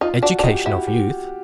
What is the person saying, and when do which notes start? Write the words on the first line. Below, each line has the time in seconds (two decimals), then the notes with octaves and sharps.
Education of Youth.
0.01 D#4 F4
0.23 D4 F#4
0.39 D4
0.44 D#4 G4
0.65 E4 F#4
0.87 G4